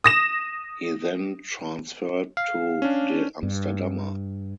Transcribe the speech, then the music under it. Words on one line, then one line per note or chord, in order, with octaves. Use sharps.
He then transferred to De Amsterdammer.
D#6 A#6 E7
F5
C#4 D4
G2